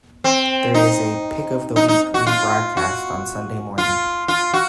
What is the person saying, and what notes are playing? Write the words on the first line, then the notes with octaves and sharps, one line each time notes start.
There is a "pick of the week" re-broadcast on Sunday morning.
C4
D#4
D#4
D#4
F#4
F4
F#4
F4
F4
F#4